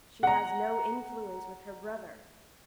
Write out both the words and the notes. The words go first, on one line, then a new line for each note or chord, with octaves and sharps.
"She has no influence with her brother."
F#5 A#5